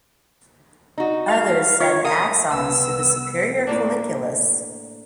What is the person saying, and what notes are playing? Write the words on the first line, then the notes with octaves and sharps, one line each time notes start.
Others send axons to the superior colliculus.
D#4 F#4
F5
F4 C#5
A#4 F5 D#6
C2 B3 E6
A2 A#3 D4